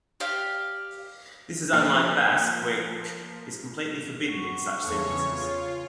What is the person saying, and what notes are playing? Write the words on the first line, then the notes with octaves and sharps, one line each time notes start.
This is unlike Basque, where "-k" is completely forbidden in such sentences.
G4 D5 F5
F3 A#3 F#6
F#4
E2 C#3 A4 C#5 C#6
F4 C#5